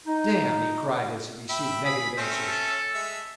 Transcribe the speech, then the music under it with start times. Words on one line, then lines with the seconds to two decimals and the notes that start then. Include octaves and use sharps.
"Damn!" he cried as he received negative answers.
0.07 D#4
1.49 E5 G5 B5
1.85 G#4 B5
2.18 A3 C4 C#4
2.48 A4
2.94 G#3 E5